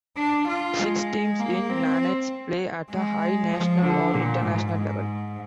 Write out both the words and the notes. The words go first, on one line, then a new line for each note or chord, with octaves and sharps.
Six teams in Nantes play at a high national or international level.
D4
F4
G#3
A#3
C4
G#3
F3
D3
A#2
G#2
G#2